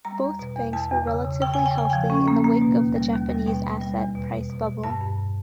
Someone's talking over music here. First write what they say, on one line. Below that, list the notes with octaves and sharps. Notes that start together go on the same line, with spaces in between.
Both banks were relatively healthy in the wake of the Japanese asset price bubble.
G3 A#5
E2
B2
E2
E2 A5
E2
C#3
C#3
C#3 G5
G#5
C#3
G5
C#3 G#5
F3 G5
C#4
A#3
A#3
B2
D#2
G3
D#2
G3
B2 G5
B3
G3
E2
B2
B2
B2
B2
G2 A5
G2